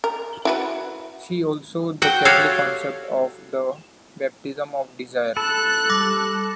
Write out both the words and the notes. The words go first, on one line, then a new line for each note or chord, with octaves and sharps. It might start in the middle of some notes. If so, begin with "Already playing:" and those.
See also the Catholic concept of the "Baptism of Desire".
A#4
E4 F#4 B4
F#4 F#5 G5
F#4 G4 A4 C#5 F5
A4 B5 F#6
G3 D6 A#6